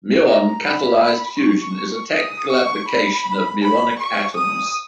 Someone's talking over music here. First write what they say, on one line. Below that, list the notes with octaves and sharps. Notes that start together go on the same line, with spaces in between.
Muon-catalyzed fusion is a technical application of muonic atoms.
A#5
B5
B5
C#6
D#6
C#6
B5
B5
C#6
D#6